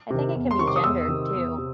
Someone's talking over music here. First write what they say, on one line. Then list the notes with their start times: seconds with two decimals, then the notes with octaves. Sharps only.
I think it can be gendered too.
0.10 C3 D#3
0.35 E2
0.51 C6
0.59 C3 D#3 C#6
0.67 D6
0.76 D#6
0.84 E2 E6
1.08 C3 D#3
1.34 E2
1.58 C3